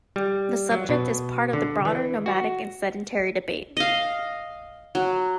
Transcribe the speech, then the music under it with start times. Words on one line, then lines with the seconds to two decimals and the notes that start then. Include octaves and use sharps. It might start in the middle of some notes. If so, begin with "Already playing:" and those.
The subject is part of the broader "nomadic" and "sedentary" debate.
0.16 G3
0.71 F#3
0.89 B2
1.53 D3
1.85 E3
2.26 F#4
3.77 D#5 F5
4.95 F#3